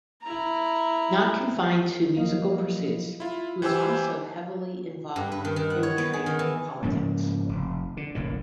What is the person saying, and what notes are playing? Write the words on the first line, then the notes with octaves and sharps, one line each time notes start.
Not confined to musical pursuits, he was also heavily involved in Eritrean politics.
E4 A#5
F3 F#3 A#3 E4 D#5 F5
E4 F4
E3 G4 C5 G#5 E6
G2
B4
D#3
D#3
F#5
C#5
B3
G#4
D#3
E3
G#2 C#3 F3 A#3
F1
D3
F#1 B1 A2 D#3